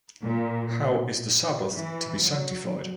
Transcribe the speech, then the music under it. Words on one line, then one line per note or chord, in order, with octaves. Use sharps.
How is the sabbath to be sanctified?
A#2
E3
F#3